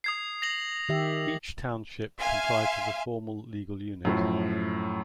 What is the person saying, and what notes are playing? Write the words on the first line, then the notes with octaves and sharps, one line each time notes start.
Each township comprises a formal legal unit.
D#6 G#6 C7
A#6 F7 F#7
D#3 G4 E5
E5 F5 G#5 C6
F#2 A2 F3